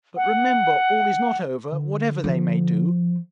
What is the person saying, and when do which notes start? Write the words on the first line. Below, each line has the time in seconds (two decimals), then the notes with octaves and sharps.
But remember, all is not over, whatever they may do.
0.16 F#5
1.72 D3
2.24 F3